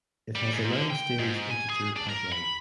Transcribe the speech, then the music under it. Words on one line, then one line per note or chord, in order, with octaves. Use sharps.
It has a nine-stage integer pipeline.
G3
G#2
D3
G5
G#2
G#5
G#4
D4
A#4
B5